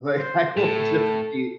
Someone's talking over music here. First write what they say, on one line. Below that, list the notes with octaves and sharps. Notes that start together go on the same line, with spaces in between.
Like, I will just be
C5
A2 A4